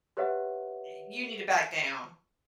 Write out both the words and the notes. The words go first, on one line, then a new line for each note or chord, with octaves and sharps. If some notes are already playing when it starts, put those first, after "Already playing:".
you need to back down
G4 B4 C#5 E5 F#5